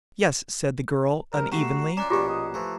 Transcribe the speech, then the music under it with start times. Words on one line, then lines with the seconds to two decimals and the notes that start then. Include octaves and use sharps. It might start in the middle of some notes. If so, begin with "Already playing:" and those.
"Yes," said the girl unevenly.
1.33 C2 A#4
1.52 A3 F#4 G4 A#5 C7 E7
1.97 C#4 F4 D5 A#5 D6 F#6
2.10 A#1 B2 C#4 F4 G4 D5
2.29 D#5
2.54 E3 F3 A3